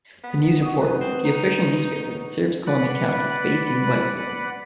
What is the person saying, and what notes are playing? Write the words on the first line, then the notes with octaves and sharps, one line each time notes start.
"The News Reporter," the official newspaper that serves Columbus County, is based in Whiteville.
B3
F#4 D#5
B4
C4
D#4
B4 D5 F#5 B5